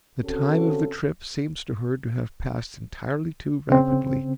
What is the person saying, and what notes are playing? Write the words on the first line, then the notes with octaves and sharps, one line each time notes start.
The time of the trip seems to her to have passed entirely too rapidly.
C#3 C4 C#4 F#4 A4
C#3 C4